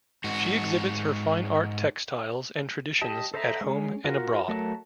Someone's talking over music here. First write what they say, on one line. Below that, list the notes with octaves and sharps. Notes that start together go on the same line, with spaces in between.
She exhibits her fine art textiles and traditions at home and abroad.
G#2 F#4
G4 D#5 A5
A4 C5 D#5 E5 A#5
G#3 C#4
F4 F#4 A#4
F#3 A3 A#4 A5